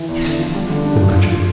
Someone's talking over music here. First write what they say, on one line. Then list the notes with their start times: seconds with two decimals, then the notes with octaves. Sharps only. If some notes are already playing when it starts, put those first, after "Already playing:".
"Hist!" said Matcham.
Already playing: E3
0.09 E2
0.24 D3
0.39 F3
0.55 G3
0.69 D3
0.85 D4
1.00 F3
1.15 F4
1.30 F4